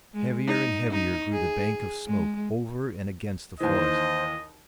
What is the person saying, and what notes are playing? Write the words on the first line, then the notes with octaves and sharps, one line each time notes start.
Heavier and heavier grew the bank of smoke over and against the forest.
G#3
D#4
D#4
G#4
G#3
D#2 E3 C5 D#5